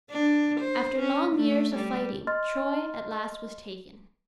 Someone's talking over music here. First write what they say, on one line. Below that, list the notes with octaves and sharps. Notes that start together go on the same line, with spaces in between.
After long years of fighting, Troy at last was taken.
D4
C5
C#4
A3
G3
D#5 C6 F6 A6